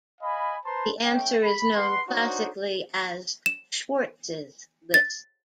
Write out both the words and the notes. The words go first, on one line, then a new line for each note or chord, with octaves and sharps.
The answer is known classically as Schwarz's list.
D#5 F5 G#5 B5
B4 C5 A5 A#5 C6
A3 C#4 G5
B5
B4 F#5 C6
D4 D#4 F#4 C5 C#5
E7
A6